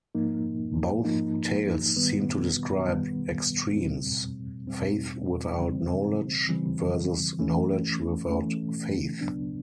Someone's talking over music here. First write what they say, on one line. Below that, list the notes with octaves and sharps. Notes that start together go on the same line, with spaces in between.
Both tales seem to describe extremes, faith without knowledge versus knowledge without faith.
G#2 F3 A#3 D#4
G#2 F3 A#3 D#4
G2 D#3 G3 B3
G2 D#3 G3 B3
E2 B2 G3 C4
E2 B2 G3 C4
C#3 E3 G3 C4
C#3 E3 G3 C4
E3 A3 C#4
E3 A3 C#4
D2 C#3 F#3 B3 D4